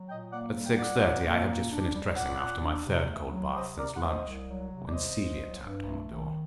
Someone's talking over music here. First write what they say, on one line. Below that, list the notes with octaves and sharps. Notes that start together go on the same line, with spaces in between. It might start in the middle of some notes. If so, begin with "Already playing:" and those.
At six-thirty I had just finished dressing after my third cold bath since lunch, when Celia tapped on the door.
Already playing: F#3
A#2 D#5 G5
A#3 D5 F#5
G3
G5
A#2 D5 F#5
A#2
A#3
A#2
D4
G3
A#2 D5 F#5
A#2
D4
C3
A3
F#3
C3 C5 D#5
C3 A#4 D5
F#5
A3 C5 D#5
C2
F#3
C3
D5
C2 C5 D#5
C2
F#3
G2
A3
D#3